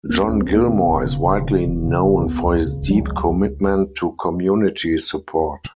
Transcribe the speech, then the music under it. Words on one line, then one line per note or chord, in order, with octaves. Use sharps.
John Gilmore is widely known for his deep commitment to community support.
C#2 A#3
C#2 C#4
B3
C#2
A#3
C#3 B3
E1
C#3
E1
C#3
E1
C#3
E1
C#2 B3
C#2
C#3
E1
F#3
C#2 G#3
C#2